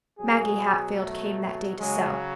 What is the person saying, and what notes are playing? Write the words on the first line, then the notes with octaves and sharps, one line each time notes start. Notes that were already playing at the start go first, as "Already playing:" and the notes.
Maggie Hatfield came that day to sew.
B2 F#3 G#4
A3
C#3 F#3 G#3